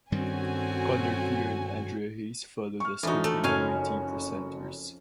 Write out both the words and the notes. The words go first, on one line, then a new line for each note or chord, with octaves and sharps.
Conor Clear and Andrea Hayes followed as continuity presenters.
G2 D#3 G3 C4 C#4 F#4 A4 G#5
C#6 F6
F2 E3 D4 D#4 F#4
A3
F#1 C#4 F#4 F5 G#5